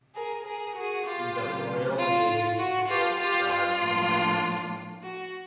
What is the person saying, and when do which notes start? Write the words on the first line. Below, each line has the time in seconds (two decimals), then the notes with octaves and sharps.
The Royal Navy controlled the Hudson River.
0.15 G#4 A#4
0.45 G#4 A#4
0.76 F#4 G#4
1.06 F4 G4
1.37 C#3 F#3 A3 C4
1.97 F4
2.58 F#4
2.89 F4 G4
3.20 F4 G4
3.50 F4
3.80 A2 F3 A#3 D4
5.02 F#4